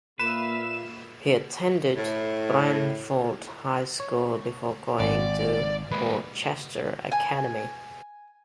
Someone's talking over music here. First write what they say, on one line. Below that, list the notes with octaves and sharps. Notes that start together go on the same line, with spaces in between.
He attended Branford High School before going to Worcester Academy.
A#2 A#3 B4 E5 F5 E7
A2
C#5
G#1 D5
G#3 A#3 B4
G#5